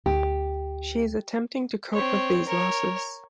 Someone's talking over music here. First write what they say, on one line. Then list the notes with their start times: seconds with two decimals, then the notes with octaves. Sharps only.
She is attempting to cope with these losses.
0.06 D2 G4
1.93 C4 C#5
2.47 A#4 C#5